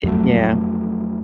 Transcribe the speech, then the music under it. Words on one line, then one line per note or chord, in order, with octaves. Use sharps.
Eh, yeah.
F2 F#3 A3